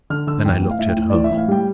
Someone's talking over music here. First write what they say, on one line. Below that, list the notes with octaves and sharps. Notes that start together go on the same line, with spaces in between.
Then I looked at her.
D3 F6
D3 E6
E2 G5
A2 G5
F5
A2 E5
G5
A2
E3 D5
E5
A2
F5
G3 G5